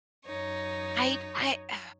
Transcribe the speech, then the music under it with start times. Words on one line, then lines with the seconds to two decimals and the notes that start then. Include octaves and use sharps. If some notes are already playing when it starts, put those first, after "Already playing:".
I I Ugh.
0.25 F#2 D#4 C#5